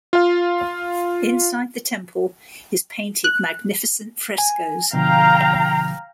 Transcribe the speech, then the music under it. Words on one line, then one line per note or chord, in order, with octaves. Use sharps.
Inside the temple is painted magnificent frescoes.
F4 F5
F#6
G#5
B2 D3 F3 F5 G5 A#5